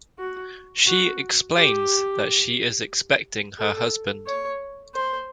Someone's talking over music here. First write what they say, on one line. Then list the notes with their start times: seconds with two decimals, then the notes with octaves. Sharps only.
She explains that she is expecting her husband.
0.18 F#4
0.87 F#4
1.55 G4
3.59 A4
4.26 C#5
4.94 C5